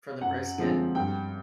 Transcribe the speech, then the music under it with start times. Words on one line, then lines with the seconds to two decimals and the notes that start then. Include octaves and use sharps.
for the brisket
0.21 F#2 F#5
0.58 D3 F3 G#3 C4
0.95 G2 G5